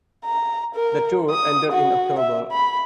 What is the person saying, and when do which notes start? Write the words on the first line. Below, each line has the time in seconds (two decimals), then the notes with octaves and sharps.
The tour ended in October.
0.25 A#5
0.75 A#4
1.30 D#6
1.72 F#4
2.19 E5
2.52 B5